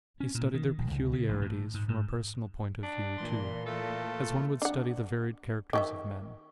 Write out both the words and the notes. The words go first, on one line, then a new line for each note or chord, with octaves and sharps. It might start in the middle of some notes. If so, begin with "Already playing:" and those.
He studied their peculiarities from a personal point of view, too, as one would study the varied characters of men.
C#4
A#2
D#3
A#1
C#2
C#3
A1
A2
G#2
G#2
D4
A#2 E3 C6
A3 F4 A4
D4 F#5
D#3 G4 D#5 E5 C#6